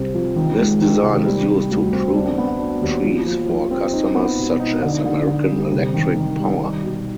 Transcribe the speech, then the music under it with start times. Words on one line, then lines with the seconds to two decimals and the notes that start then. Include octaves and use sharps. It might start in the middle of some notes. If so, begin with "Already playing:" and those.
This design is used to prune trees for customers such as American Electric Power.
Already playing: C2 C3 C4
0.14 F3
0.36 D#3
0.58 G#3
0.81 D#3
1.03 C3
1.25 G3
1.48 G3
1.71 D2
1.93 C4
2.15 D4
2.38 B3
2.60 D4
2.81 D#2
3.05 F3
3.27 F3
3.49 F3
3.71 C4
3.93 D#4
4.15 B3
4.38 B2
4.60 D#4
4.82 D3
5.05 D3
5.27 D3
5.50 G3
5.72 C3
5.94 D#3
6.16 D#3
6.39 G3
6.61 D#4
6.83 B2